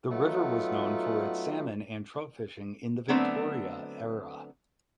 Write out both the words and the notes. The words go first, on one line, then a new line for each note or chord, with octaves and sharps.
The river was known for its salmon and trout fishing in the Victoria era.
F#3 A3 B3 D#4 F4
D3 F#3 A3 B3 C4 D4